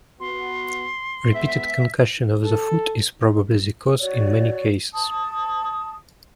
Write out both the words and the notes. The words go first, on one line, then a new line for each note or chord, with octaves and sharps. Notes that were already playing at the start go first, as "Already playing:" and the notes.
Repeated concussion of the foot is probably the cause in many cases.
B3 F#4 C6
G#3 B3 E5
A4
F#4 C#5 D5
A5 D#6